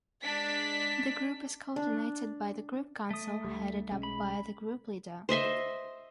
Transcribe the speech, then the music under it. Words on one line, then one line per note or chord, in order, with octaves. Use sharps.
The Group is coordinated by the Group Council, headed up by the Group Leader.
G#3 D4 B6
D4
A3 D#6
D2 G3
B1 G#3 C#4
B5
C5 D#5 E5 C6